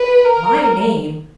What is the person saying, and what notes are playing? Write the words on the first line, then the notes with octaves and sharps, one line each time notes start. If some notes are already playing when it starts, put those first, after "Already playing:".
My name!
Already playing: B4
A#4